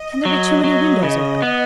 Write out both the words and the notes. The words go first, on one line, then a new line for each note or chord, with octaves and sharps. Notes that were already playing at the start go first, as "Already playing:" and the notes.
Can there be too many windows open?
Already playing: D#5
F#3
F#3
C#3
B3